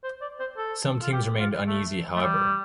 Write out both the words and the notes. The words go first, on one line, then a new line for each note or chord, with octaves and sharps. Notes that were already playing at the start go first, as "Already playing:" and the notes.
Some teams remained uneasy, however.
C5
D5
C5
A4
F4
G4
F4
A3
A3
G3